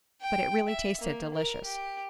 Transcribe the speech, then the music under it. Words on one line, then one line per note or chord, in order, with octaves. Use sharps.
But it really tasted delicious.
G5
E5
A#3
A#4
G4